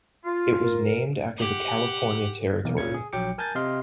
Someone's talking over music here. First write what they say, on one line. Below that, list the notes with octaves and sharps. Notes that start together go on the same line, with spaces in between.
It was named after the California Territory.
F4
A#4
G4 F#5
B1 E2 A#3
A#2 C#3 G#6 C#7
G#4
A#1 F#3 G5 D6 C#7
A#4 G#5 A5 G6 A6
C3 D#5 F5 C6